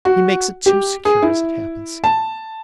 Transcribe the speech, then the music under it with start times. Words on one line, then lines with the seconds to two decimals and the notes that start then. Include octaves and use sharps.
He makes it too secure, as it happens.
0.05 F#4
0.66 G4
1.05 G#4
1.22 E4
2.04 A5